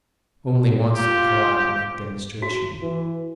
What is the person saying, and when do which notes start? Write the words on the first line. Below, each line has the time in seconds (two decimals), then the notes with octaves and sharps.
Only once did Calliope make demonstration.
0.95 F4 G4
2.42 F#4
2.82 E3